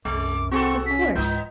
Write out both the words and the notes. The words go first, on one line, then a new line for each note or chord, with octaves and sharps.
"Of course!"
C2 F#2 G#3 D6
C4 F#4 G#4 A4 C#6
C#4 B6
C#2 G#2 E3 B3 D#4 G6